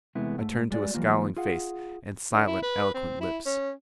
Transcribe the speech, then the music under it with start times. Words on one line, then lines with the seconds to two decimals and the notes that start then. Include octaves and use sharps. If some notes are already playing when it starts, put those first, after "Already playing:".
I turned to a scowling face, and silent, eloquent lips.
0.15 E2 C3 G#3 A3 B3 E4
0.38 G#2 A3
0.71 G3 G#3 F#4 D5
0.94 E3 F#3 G3 A#3 F4
1.36 F4 G#4 F5 F#5
2.33 D3
2.47 E4
2.62 B4
2.94 C4
3.21 E4
3.46 C#4